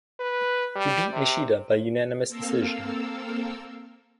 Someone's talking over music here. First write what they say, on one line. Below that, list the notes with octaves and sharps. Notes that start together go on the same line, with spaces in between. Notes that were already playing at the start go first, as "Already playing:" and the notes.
He beat Nishida by unanimous decision.
B4
G3
C3
A#3 C4 A4 A#4 F5 E6